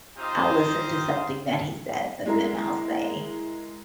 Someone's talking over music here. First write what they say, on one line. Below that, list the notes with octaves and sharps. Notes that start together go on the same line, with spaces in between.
I'll listen to something that he says, and then I'll say,
C4 D#4 F4 G4 C5 D#5
G#3 E4 A#4